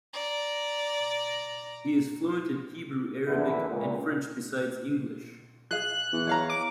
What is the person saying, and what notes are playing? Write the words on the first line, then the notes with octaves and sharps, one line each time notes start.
He is fluent in Hebrew, Arabic, and French, besides English.
D5 A#5
A#1 E2 D3 E4 B4
C#2 A#2
G#4 F5 F#6
E2
C#5 F5 A#5
D6